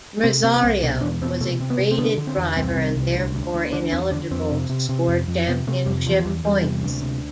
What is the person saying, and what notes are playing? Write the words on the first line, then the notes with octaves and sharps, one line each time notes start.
Merzario was a graded driver and therefore ineligible to score championship points.
C3 C4
C3 C4
B3
C2 C4
B2 D4
E2 D4
B2 C4
C3 A3
C3
B3
C3
C4
D3 B3
D3
C4
E2
C2 C4
C3
C2
D2
D2
D2
D3 D4
E2 C4
D3 D4
F2 C4
C3
C3
C3
F2
F2
C3 B3
C3 A3
F2 G3
E2 F3
F3
E2 G3
E2 G3
C3
D2
C3